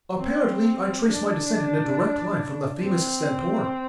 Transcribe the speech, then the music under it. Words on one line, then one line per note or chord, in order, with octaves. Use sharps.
Apparently I trace my descent in a direct line from the famous Stentor.
C4
D4
C4